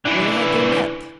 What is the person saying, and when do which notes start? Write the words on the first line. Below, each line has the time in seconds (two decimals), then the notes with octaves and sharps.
Where had they met?
0.06 D3 E3